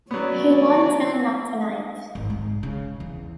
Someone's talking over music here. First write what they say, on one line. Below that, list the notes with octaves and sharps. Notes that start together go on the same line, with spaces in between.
He won't turn up to-night.
F#3 B3 C#4 D5
G#1
G#2
C#3
E2